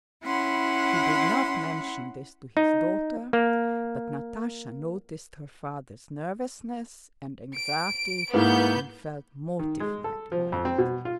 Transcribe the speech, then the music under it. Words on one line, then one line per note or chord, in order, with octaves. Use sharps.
He did not mention this to his daughter, but Natasha noticed her father's nervousness and anxiety and felt mortified by it.
C#4 E4 F#5 B5 C6
D#4
A#3
D7
G#2 A#3 B3 E4 G6
D#3
G#3
A4
F3
F2
C4
B2
F4